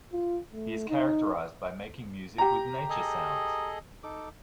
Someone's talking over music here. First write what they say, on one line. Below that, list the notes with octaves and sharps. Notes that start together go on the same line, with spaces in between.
He is characterized by making music with nature sounds.
F4
A3
D#4
G4 A#5
G#4 A4 D#5
D#4 A4 D6